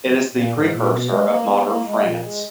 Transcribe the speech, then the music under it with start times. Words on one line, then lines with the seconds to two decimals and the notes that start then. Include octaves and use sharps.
It is the precursor of modern France.
0.34 A#2
0.53 G#2
0.71 A#2
0.90 B2
1.09 G#3
1.28 A#3
1.47 B3
1.66 A#3
1.85 G#3
2.03 A#2
2.22 G#3